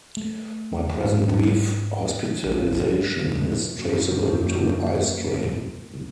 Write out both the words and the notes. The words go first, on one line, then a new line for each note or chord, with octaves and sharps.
My present brief hospitalization is traceable to eyestrain.
A3
G#2
A#1
F#2 A#3